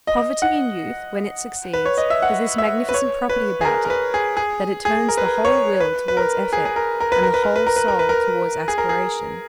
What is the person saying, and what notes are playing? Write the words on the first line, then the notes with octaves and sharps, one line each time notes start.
Poverty in youth, when it succeeds, has this magnificent property about it, that it turns the whole will towards effort, and the whole soul towards aspiration.
D#5
F#5
B4
C#5
D#5
E5
F#5
E5
B4
C#5
B4
G#4
A#4
A#4
B4
G#4
G#4
G#4
A#4
B4
A#4
C#5
B4
B4
A#4
G#4
G#4
A#4
A#4
B4
A#4
B4
A#4
B4
A#4
B4
A#4
B4
A#4
G#4
A#4
G#4